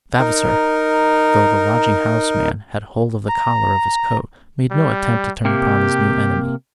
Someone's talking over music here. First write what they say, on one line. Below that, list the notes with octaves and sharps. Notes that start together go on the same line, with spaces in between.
Vavasor, though the lodging-house man had hold of the collar of his coat, made no attempt to turn upon his new enemy.
D#4 A#4
A#5
G3
C3 A#3 G4